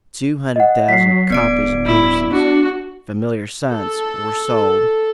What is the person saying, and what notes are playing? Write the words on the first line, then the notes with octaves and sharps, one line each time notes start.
Two hundred thousand copies of Peterson's "Familiar Science" were sold.
D#5 F#5
F#3 B6 C7
D1 B3 D5 D7
E4
D4 F#4
A4